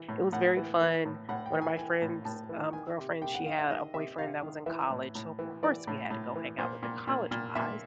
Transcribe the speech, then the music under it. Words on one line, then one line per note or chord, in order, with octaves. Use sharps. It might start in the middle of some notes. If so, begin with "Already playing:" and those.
It was very fun. One of my friend's, um, girlfriend, she had a boyfriend that was in college, so of course we had to go hang out with the college guys.
Already playing: E3
A2
A2 F#5
E3
E3
A2
A2 F#5
G5
E3
G#5
E3 G#5
A2
A2 A5
E3
D#3 G#5
C3
C3 G5
F#5
D#3 F5
E5
D#3 D#5
C3 E5
C3 F5
D#3
E3 E5
A2
A2
E3
E3 D5
A2
A2
E3
A#2 C5
A#2
A#2
A#2
A#2 E5